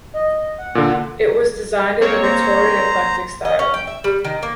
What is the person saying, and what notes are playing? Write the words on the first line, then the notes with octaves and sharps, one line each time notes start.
It was designed in the Victorian Eclectic style.
D#5
F#5
A#2 D3
A#3 C4 C#5
C5 A#5
D#5
C#4
G5
E5
G3
D#3
A#3